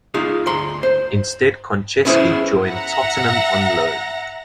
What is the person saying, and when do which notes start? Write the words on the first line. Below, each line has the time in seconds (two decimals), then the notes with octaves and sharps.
Instead Konchesky joined Tottenham on loan.
0.14 D#4 F4 G#4
0.47 D2 A#5 C6
0.83 C5
2.05 B3 C#4 E4 G#4 C5
2.65 E5 F#5 A#5 A#6